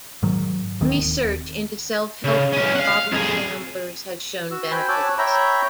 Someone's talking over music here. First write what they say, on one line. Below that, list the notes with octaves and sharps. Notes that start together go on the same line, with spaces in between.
Research into self-help for problem gamblers has shown benefits.
G#2 D#3 F#3
D1 D#2 D#3 C4
C#3
B1 C#4
F5 F#5
F2 G#4
F#4 E6
C5 G5 G#5 B5
C#5 F#5 G#5 A5 D6 E6
C#5 E5 G5 A#5 B5